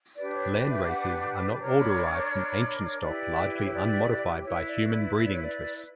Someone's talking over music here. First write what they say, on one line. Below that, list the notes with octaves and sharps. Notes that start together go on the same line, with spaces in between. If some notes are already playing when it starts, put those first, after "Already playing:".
Landraces are not all derived from ancient stock largely unmodified by human breeding interests.
D4 G4 B4 D5
C#5
D5
E5
F#5
D4 A#4 C#5 A#5
B5
B5
C#6
B5
C#6
B5
B5
D5
C#5
E4 G4 B4 D5
C#5
D5
E4 B4 C#5
D5
D5
E5
D5
C#5
D5